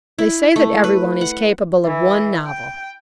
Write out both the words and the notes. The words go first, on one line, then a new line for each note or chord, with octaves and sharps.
They say that everyone is capable of one novel.
E4
A3
B4
F#5
E3
G5